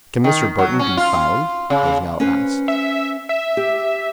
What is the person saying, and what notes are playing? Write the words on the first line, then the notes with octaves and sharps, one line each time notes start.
"Can Mr. Burton be found?" was now asked.
D#3
F#3
C#4
F4
C#3
C#4 B4 C5
E5
E5
G4